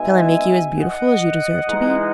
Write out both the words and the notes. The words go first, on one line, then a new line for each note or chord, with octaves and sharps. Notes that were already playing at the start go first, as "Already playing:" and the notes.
Shall I make you as beautiful as you deserve to be?'
Already playing: B2 G#3 D#4 E5 G#5
D#5 F#5
E3 G#3 D#4